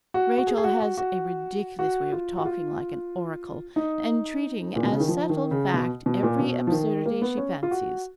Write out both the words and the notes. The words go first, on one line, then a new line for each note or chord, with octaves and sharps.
Rachel has a ridiculous way of talking like an oracle, and treating as settled fact every absurdity she fancies.
F#4
F#4
G#4
G#4
F#4
F#4
F#4
F#4
F4
F#4
F4
D#4
A#2
B2
C#3
D#3
F3
D#3
C#3
B2
B2
A#2
B2
F3
D#3
A#3
B3
C#4
F4
F#4